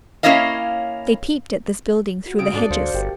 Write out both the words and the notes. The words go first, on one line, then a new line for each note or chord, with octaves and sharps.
They peeped at this building through the hedges.
A#3 C#4 E4 C#5 D#5 F5
F4 F#4
C#3 C4 D#6 D7
G#2 D4 A4 D5
D2 F#4 C5 F5 C#7
G1 G4 A#4 G5